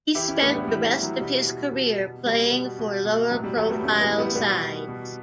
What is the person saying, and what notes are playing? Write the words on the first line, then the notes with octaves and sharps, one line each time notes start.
He spent the rest of his career playing for lower profile sides.
E3 E4 G4
C#4 E4
A2 B3 D4
G3 B3
E3 G3
G3
E3
F#3
B2 G3
B2
B2
B2
B2 G3
B2
B2
B2
A2 F#3
G3
A2 F#3 A3
G3 B3
A2 A3 C#4
G3 B3
E3
G3 B3
B2 G3 B3
B2
B2